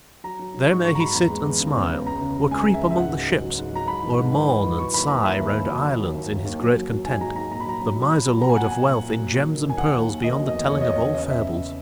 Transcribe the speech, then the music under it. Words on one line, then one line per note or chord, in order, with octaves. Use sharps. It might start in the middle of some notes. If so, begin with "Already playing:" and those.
There may he sit and smile, or creep among the ships, or moan and sigh round islands in his great content--the miser lord of wealth in gems and pearls beyond the telling of all fables.
F#3 A#5
F#3
F#3
G#2 C#6
G#2 C#6
A#5
F#3 B5
E2 A#5
G#3
E2
C#3
E2
C#3
C#2 A#5
C#3
C#3
G#3 G#5
C#3
E5
C#2
E5
G#2 F#5
F#3
F#3
F#3
G#2
F#3 A#5
G#2 B5
E3
G#2
E3
E3
E3
F#3 C#6
D#2 B5
D#2 A#5
D#3 E5
D#2
D#3
F#3
D#2
F#3
D#2
D#2
D#2
F#3
F#3
F#3
G#2 G#5
F#3 A#5
G#2 A#5
A#2 A#5
B5
F#3 A#5
F#3
F#3
F#3
F#3
F#3 A#5
G#5
A#2 F#5
G#5
A#2
A#2
A#2
F#3
F#3
D#3
D#2
G#5
D#2 F#5
D#2
D#2
D#3 D#5
F#3
D#5
E2
E2 C#5
F#3 D#5
C#5
E2
C#3 D#5
E5